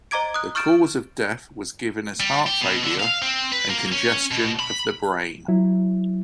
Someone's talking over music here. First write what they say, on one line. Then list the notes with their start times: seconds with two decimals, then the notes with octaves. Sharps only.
The cause of death was given as heart failure and "congestion of the brain".
0.11 C5 D#5 A#5 D6 G#6 D7
0.34 D#6 F#6
0.55 C#6 F6 G6 A6 D7 E7
2.20 G3
2.47 G4
2.61 B2
2.83 D3
3.00 F5
3.22 C4
3.52 B4
3.70 A#3
3.92 C#4
4.31 B2
4.59 B5
5.48 F#3 E4